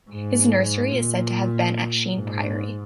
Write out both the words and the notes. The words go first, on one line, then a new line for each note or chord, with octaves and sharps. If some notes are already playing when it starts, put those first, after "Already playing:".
His nursery is said to have been at Sheen Priory.
G#2
A#2
G#2